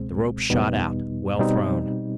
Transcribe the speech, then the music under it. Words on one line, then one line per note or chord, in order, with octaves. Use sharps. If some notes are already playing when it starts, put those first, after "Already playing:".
The rope shot out, well thrown.
Already playing: C#2 B2 G#3 C4
E2 B2 G3 B3 D#4
B2 G3 C4 D#4